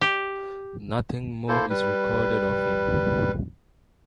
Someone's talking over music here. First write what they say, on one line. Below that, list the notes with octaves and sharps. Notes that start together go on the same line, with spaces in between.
Nothing more is recorded of him.
G4
A#3 E4 A4 C5
G3 B4